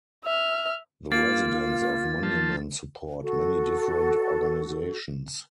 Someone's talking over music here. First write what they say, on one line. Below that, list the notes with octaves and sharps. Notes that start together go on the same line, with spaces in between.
The residents of Monument support many different organizations.
E5 F6
A#3 F4 A6
F3 A5
F#4 A4